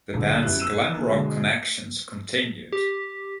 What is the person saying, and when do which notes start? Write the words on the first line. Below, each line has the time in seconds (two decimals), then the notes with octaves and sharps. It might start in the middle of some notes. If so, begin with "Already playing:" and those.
The band's glam rock connections continued.
0.14 D#1 D3
0.43 F#2 B3 E4 G4 F#6
0.59 E6 D#7 E7
0.94 E3 A#3
1.10 B2 D3 G#3
2.73 G4